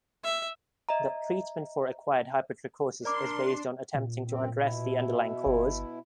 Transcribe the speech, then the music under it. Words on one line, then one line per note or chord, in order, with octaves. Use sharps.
The treatment for acquired hypertrichosis is based on attempting to address the underlying cause.
E5
D#5 E5 A#5
D4 A#4 D5 B5 C6 D6
A#2
F#2 C4
B2 E4
G1